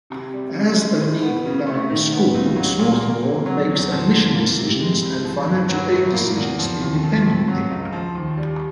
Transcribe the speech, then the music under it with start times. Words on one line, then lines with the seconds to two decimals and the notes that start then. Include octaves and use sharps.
As a need-blind school, Swarthmore makes admission decisions and financial aid decisions independently.
0.10 C3
0.33 G3
0.56 C#3
0.78 G#3
1.00 A2
1.22 B3
1.45 C#3
1.67 A3
1.90 D#3
2.12 B3
2.34 C#2
2.56 F#3
2.79 A#2
3.01 A#3
3.23 F2
3.46 F#3
3.68 E2
3.91 F3
4.12 D3
4.35 A#3
4.57 C3
4.80 G#3
5.02 C2
5.24 F3
5.47 G2
5.69 F#3
5.91 A2
6.14 A#3
6.36 E2
6.58 F3
6.81 D#2
7.03 F3
7.26 F2
7.48 F#3
7.70 C#2
7.92 F3
8.15 D#2
8.38 G3